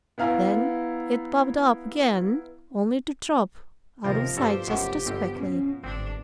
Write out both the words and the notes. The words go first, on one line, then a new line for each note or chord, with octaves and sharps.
Then it bobbed up again, only to drop out of sight just as quickly.
B3 E4 F5 A#5
D#2 C3 F3 F4 A#4 G5
G2 B2 G4 A4 C5 A#5
F1 F#2 B2 G4
G1 B3 C4
B2 C#4
G1 G#2 C4 D4